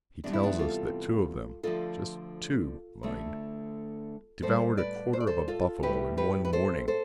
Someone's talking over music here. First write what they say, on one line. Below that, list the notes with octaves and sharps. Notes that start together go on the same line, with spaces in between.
He tells us that two of them--just two mind--devoured a quarter of a buffalo in one morning.
E2 C3 G3 D4
E4
B3 D4
F4 A4
D2 D3 F3 F4 A4
D2 D3 A3
A2 G3 A4 C5
B4 D5
C5
D5
A4 C5
F4 A4
A2 G3 G4 B4
G4 B4
B4
A4 C5
A4 C5